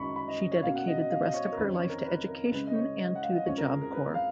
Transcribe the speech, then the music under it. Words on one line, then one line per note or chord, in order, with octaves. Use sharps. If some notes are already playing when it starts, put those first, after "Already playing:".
She dedicated the rest of her life to education and to the Job Corps.
Already playing: F#2 D#3 G#3 B5 C#6
B5
D#5
D#5
C#5
B2 F#3 A#3 C#4 F5
F#5
D#5
D#5
F5
D#5
C#5
C#5
A#4
F2 D#3 A#3 C#4 B4
C#5
A#4
B4
A#4
C#3 G#3 C#4 B4
D#5
C#5
D#5
F#5
F5
D#5
F2 F3 G#3 C#4 C#5
A#4
G#4
A#4
B4
F5